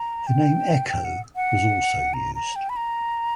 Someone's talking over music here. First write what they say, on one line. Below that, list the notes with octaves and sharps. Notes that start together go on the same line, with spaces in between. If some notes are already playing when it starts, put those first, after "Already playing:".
The name "Echo" was also used.
Already playing: A#5
G5
G5
F#5
F#5
A#5
A#5
G5
B5
A#5